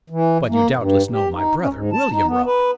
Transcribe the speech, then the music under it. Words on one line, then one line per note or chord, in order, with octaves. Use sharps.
But you doubtless know my brother, William Rugg.
E3
A#3
G2
G4
D#4
C#4
G#2
A5
D#4
B3
B4